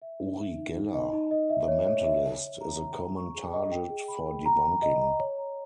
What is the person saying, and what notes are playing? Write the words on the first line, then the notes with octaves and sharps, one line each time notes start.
Uri Geller, the mentalist, is a common target for debunking.
E5
D#4
E5
D#4
D#4
D#5
D#4
D#5
E5
C#5
C#5
E5
C#5
C#5
A#5
A#5
A#5
C#6
G#4
D#5
G5
G#4
B5
G5
A#5
A#5
D#5
A#5
C#5
A#5